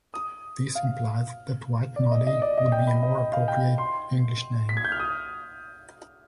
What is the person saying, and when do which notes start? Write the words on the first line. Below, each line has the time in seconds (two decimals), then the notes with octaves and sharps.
This implies that "white noddy" would be a more appropriate English name.
0.14 D#6
0.75 F5
1.96 D5
2.12 D#5
2.27 D#5
2.42 D5
2.58 D#5
2.72 G5
2.87 B5
3.03 D#5
3.17 D#5
3.33 F5
3.48 G5
3.78 C6
4.69 B6
4.77 G#6
4.85 G6
4.92 F6
5.00 D#6